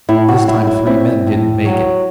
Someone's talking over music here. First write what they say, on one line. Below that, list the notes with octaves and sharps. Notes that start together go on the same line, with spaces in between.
This time three men didn't make it.
A2 E4
F#4
F#3 E4
E4
C4 E4
A2
F#3 F#4